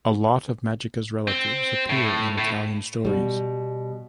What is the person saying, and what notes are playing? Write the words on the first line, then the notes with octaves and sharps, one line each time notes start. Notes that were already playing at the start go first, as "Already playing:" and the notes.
A lot of Magica's relatives appear in Italian stories.
C4
A2
A2
B2 G3